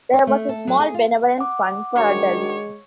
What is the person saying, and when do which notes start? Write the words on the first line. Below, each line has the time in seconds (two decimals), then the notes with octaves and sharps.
There was a small benevolent fund for adults.
0.13 C#5
0.27 A3
0.49 A4
0.67 F#3
0.80 G#4
0.94 F4
1.38 F#5 D6
1.96 D#3 G#3 D4 F#4 C#5